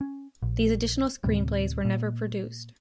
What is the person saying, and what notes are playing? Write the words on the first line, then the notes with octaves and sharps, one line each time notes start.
These additional screenplays were never produced.
C#4
A#1
D2 A2 C3 G3
A#2